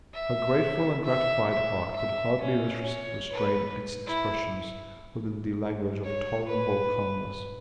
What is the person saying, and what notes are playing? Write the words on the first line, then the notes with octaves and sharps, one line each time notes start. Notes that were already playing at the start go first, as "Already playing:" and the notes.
Her grateful and gratified heart could hardly restrain its expressions within the language of tolerable calmness.
E5
E5
E5
E5
C#4
C#5
B4
E4
C#5
B4